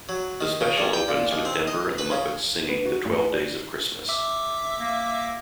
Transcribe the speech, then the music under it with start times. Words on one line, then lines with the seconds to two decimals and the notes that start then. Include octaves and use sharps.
The special opens with Denver and the Muppets singing "The Twelve Days of Christmas".
0.09 F#3
0.41 D#3
0.61 C#3
0.78 G2
0.93 G5
1.08 A#2
1.31 D#2
1.45 C4
1.67 D#5
1.98 B4
2.11 C#3
2.69 B3
2.86 F#4
3.05 A1
3.20 B4
3.33 D5
4.09 E5 D6 E6
4.78 A#3